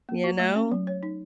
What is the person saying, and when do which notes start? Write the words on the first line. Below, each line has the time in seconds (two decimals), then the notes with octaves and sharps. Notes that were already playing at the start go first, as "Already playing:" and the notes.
You know?
0.09 A#3
0.24 F#4
0.39 A3
0.56 C#4
0.71 F#3
0.87 C#5
1.03 D#4